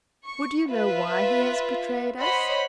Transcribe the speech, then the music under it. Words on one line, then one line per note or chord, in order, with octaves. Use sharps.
Would you know why he has betrayed us?
C#6
F4 B4 E5 F5
C5 C#5 D#5 F#5 B5 C6